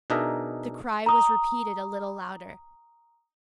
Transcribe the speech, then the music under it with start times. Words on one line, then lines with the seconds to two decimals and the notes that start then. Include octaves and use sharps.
The cry was repeated a little louder.
0.10 B2 D4 D#4 G#4 A#4 E5
1.06 A#5 D#6